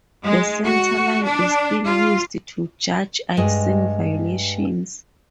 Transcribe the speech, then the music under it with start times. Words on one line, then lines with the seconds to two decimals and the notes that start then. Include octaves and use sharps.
The centre line is still used to judge icing violations.
0.24 G#3
0.64 F#4
1.24 D4
1.84 F4
3.37 G2 G#3 D#5